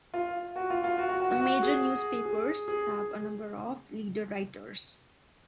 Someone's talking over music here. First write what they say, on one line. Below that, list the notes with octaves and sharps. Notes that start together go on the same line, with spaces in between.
Some major newspapers have a number of leader writers.
F4
F#4
F4
F4
F#4
F#4
F#4
F#4
F#4
G#4
G#4
G#4